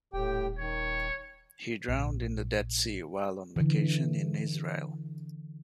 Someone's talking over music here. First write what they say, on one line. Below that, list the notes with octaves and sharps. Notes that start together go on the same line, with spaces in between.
He drowned in the Dead Sea while on vacation in Israel.
D#1 A2 G4 G5
D#3 C#5
A#1 G#2
D3 E3